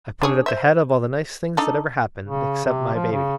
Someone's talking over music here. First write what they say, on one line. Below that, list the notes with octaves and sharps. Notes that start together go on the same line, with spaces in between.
I put it at the head of all the nice things that ever happened, except my baby.
D4 G#4 C#5
C5 E5
D4 D#4 A4
C#3
C3
F3
C#3